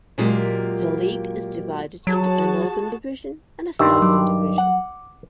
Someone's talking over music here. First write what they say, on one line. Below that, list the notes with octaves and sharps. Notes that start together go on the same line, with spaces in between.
The league is divided into a Northern Division and a Southern Division.
A#2 F#3 G#3 A#3 F4 G4
F#3 F#4 G#4 A5
G2 D#3 G3 C6 E6
F#3 D6
F#5